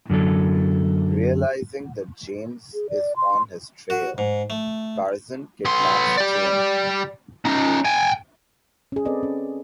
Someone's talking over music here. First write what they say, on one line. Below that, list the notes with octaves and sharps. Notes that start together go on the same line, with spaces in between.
Realizing that James is on his trail, Tarzan kidnaps Jane.
F#2 D3 F#3 A4
G#4
D5
C6
F#4
G#2
A3
B3 C6
G4 D5
C#4 D#4
G5 G#5
C#4 G#4
C4 A4 B4 D5 D#5
C#4